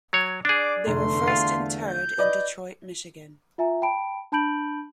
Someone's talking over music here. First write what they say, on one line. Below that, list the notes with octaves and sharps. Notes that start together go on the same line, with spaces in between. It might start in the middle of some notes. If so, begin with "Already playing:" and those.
They were first interred in Detroit, Michigan.
F#3 C#5
D4 G#4 D5 D6
F1 E2 D3 A3 C6
F4 F5
G6
B4 D5 D#5
F4 E5 G#5 A#5
G5 A5 B5 D7
D4 A5 B5 G6 D7 F#7